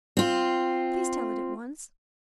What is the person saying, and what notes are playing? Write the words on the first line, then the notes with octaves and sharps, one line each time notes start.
'Please tell it at once.
C4 F4